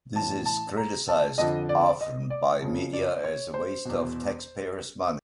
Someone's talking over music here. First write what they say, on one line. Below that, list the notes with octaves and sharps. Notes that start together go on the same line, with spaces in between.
This is criticized often by media as a waste of taxpayer's money.
A2 E3 A5
A5
A#5
A5
F2 D3 F3 D#5
D5
D#5
D5
F2 C#3 F3
D5
C#5
C5
E2 B2